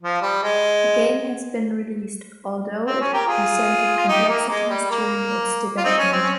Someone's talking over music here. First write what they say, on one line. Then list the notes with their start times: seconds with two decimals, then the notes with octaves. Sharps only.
The game has been released, although it presented complexities during its development.
0.02 F3
0.22 G3
0.43 G#3
2.86 C4
3.00 C#4
3.13 G4 A#4
3.27 F4 G#4
3.97 F4
4.08 D#4 G4
4.28 A#3
4.49 G#3
4.70 G3
4.90 A#3
5.77 F4
5.84 C4 D#4
5.97 C#4
6.12 C4
6.23 C#4